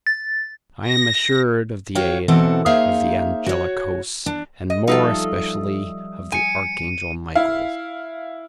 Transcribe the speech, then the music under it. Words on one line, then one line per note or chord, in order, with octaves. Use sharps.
I am assured of the aid of the angelic hosts, and more especially of the archangel Michael's.
A6
A#6
F#4 C#5 F5 G5
B2 E3 C4 A4 F#5
A#3 D#4 G#4 C5 E5 F5
F#4 C#5
D4
D#5
F3 G3 D#4 F4 A4 E5 D#6 E6
G#5 C#7 D#7
E4 F5